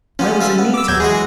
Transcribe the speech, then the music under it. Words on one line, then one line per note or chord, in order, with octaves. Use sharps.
Where was Anita?
F3 B3 C#4
F4 E5
B3
D6 E6
E2 F#3 G6 G#6
E3 G#3 F#4 G#4